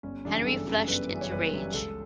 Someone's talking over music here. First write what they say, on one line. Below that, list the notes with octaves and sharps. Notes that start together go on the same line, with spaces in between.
Henry flushed into rage.
G1 C#4
F#2 C#3 E3 G3 D4
G1 A4
F#2 C#3 E3 G3
G1 B4
F#2 C#3 E3 G3
C#5
G1 B4
F#2 C#3 E3 G3
C#2 A4